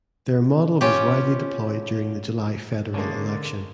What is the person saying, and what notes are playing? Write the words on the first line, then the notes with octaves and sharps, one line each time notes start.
Their model was widely deployed during the July federal election.
C#4 F4 G4
D3 G#3 A#3 C#4